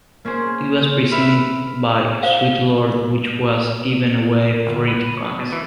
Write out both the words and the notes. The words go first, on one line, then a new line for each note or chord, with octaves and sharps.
It was preceded by "Sweet Lord" which was given away free to fans.
A#3 C#4 G#4 C5
B4 E5 B5 F6
C5 F5
G1
B4
C#5
B2
E3